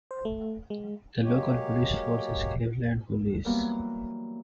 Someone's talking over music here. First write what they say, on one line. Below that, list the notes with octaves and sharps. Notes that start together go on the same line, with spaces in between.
The local police force is Cleveland Police.
C5
A3
G#3
F#3 G#3 A#3 G4 C#5
E3 F#3 G3 A#3 B3 A#4